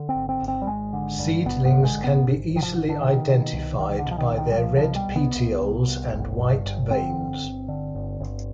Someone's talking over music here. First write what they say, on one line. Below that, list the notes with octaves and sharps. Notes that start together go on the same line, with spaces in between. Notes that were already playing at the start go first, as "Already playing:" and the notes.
Seedlings can be easily identified by their red petioles and white veins.
Already playing: D3
C4
G#1
C4
G#1
C4
G3
G#1 G#3
D3
G2
G#1 B3
B3
D3
G#3
G#1
B3
G#1
G#1
D#3
F3
D3
D3
B2 D#3
B2
C2
C2 D#3
D#3
D3
B2
F3
D#3
C2
D#3
G3
C2 F3
F3
B2
G3
C2
B3
C2
C2
C2
G1
G2
G1
D3 C4
G1
G1
D3
G1
G1